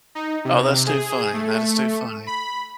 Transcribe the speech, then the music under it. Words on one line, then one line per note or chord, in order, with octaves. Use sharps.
Oh, that's too funny, that is too funny.
D#4
C3
G#4
A3
B5